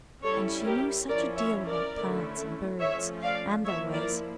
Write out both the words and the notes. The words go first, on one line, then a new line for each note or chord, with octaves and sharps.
And she knew such a deal about plants and birds, and their ways!
G3 C#4 E4 A4 C#5
G4 A#4
F3 C#4 E4 A#4 D5
C#5 E5
A#4 D5
D3 A3 C#4 E4
F3 A3 C#4 C#5 E5
D5 F5
F3 A#3 E4 C#5 E5
A#4 D5